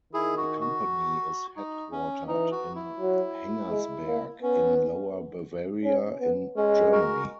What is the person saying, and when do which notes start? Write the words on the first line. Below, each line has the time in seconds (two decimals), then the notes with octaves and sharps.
The company is headquartered in Hengersberg, in Lower-Bavaria in Germany.
0.13 D#3 E4 G#4
0.37 F#4
0.61 F#4
1.56 D#4
1.92 C#4
2.28 E3 D#4
2.52 F#4
2.75 E4
3.00 F#3
3.70 G#3
4.07 A#3
4.43 B3 C#4
5.84 C#4
6.20 B3
6.56 G#3 C#4
6.92 F#4 A#4